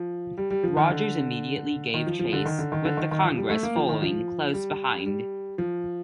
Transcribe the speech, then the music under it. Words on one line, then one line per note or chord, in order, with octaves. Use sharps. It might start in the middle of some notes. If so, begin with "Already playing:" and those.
Rodgers immediately gave chase, with the "Congress" following close behind.
Already playing: F3
G3
G3
F3
D#3
D3
D#3
F3
F3
D3
D#3
D3
D#3
D3
D#3
D#3
F3
G3
A3
A#3
F3
D#3
F3
G3
G3
F3